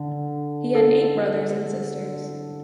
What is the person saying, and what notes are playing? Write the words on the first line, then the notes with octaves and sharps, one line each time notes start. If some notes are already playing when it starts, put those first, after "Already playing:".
He had eight brothers and sisters.
Already playing: D3
A4